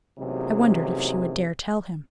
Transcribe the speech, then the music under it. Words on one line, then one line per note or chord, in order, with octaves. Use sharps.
I wondered if she would dare tell him.
A1 C3 F#3 A#3 D#4 G#4